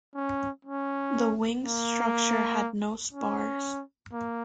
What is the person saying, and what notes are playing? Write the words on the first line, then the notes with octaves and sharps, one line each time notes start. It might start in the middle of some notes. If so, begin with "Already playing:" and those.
The wings' structure had no spars.
C#4
C#4
A#3
C#4
A#3